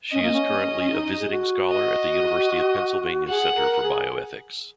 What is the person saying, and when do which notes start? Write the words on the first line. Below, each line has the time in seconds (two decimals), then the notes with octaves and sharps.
She is currently a Visiting Scholar at the University of Pennsylvania Center for Bioethics.
0.12 C#4 D#5
0.22 A#3
0.32 C#4
0.92 D#4
1.19 G#4
1.31 F#4
1.70 D#5
3.28 G#4 F#5
3.55 A#4
3.82 G#4